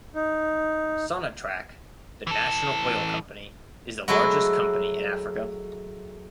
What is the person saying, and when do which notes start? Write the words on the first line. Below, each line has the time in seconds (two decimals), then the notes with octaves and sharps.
Sonatrach, the national oil company, is the largest company in Africa.
0.14 D#4
2.27 E3 A4
4.08 F#3 G#3 A3 E4 F#4